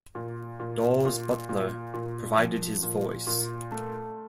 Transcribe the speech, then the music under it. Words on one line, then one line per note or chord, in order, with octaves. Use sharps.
Daws Butler provided his voice.
A#2
A#2
A#2
A#2
A#2
F3
A#2
A#2
A3